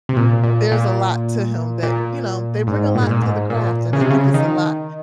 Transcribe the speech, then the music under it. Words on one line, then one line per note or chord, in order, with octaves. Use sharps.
There's a lot to him that you know, they bring a lot to the craft, and I think it's a lot.
C3
A#2
A#2
A#2
A#2
G#2
A#2
G#2
A#2
G#2
A#2
C#3
C3
C#3
D#3